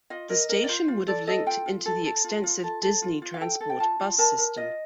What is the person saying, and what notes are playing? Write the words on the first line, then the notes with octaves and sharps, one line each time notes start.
The station would have linked into the extensive Disney Transport bus system.
F4 D#5
A#4 D#5
A#4
D5
F4 C5
F4
A4 D5
A4 D#5
F4 G5
F4
A4
A4
F4
F4
A4
A4
F4
F4
F5
A4 G5
A4
G5
F4 A5
F4
A#4 A5
A#4
F4 D#5